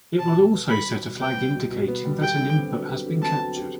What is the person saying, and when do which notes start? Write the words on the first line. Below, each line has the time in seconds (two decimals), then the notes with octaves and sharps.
It will also set a flag indicating that an input has been captured.
0.19 B2 A5
0.36 B2
0.53 B3
0.70 G3 B5
0.86 B2
1.03 B2
1.20 B3 G5
1.37 G3
1.54 B2
1.71 B2
1.88 B3
2.05 G3
2.21 G4 G5
2.38 D3
2.56 C4
2.72 F#3
2.89 G4
3.06 D3
3.23 C4 A5
3.39 F#3
3.56 G4